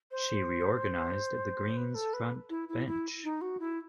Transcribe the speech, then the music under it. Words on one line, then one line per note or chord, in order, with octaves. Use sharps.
She reorganised the Green's front bench.
C5
B4
A4
B4
E4
E4
E4
D#4
F#4
E4